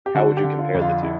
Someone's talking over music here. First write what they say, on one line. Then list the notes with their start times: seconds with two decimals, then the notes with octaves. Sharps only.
How would you compare the two?
0.06 G4
0.15 D3 F#4
0.37 G4
0.44 D3
0.59 F4
0.74 F2
0.81 F4
1.03 E4